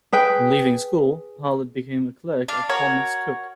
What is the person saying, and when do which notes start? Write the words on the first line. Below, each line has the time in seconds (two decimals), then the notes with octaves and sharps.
On leaving school Parlett became a clerk at Thomas Cook.
0.12 G#4 B4 G5
2.48 D4 F5
2.69 F#4 A#4 C#5